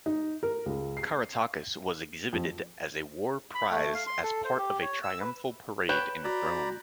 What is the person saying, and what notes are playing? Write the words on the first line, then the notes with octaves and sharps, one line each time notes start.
Caratacus was exhibited as a war-prize as part of a triumphal parade in Rome.
D#4
A#4
C#2
C7
F2
B5
A3
F5
C6
A4
C5
G4
C#5
E6
B4
B4 C#5 G5 F#6 G6 E7
F#4 D5 A#5 B5